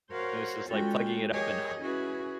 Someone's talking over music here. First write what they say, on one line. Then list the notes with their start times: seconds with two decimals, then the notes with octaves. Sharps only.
this is like plugging it up and h
0.11 F#4 A#4 C5 C#5 F5 F#5
0.69 G#3 C#4 F4 F#4 A4 G5
1.33 G4 G#4 A#4 C#5 D#5
1.80 C#4 E4 F#4 G#4 B4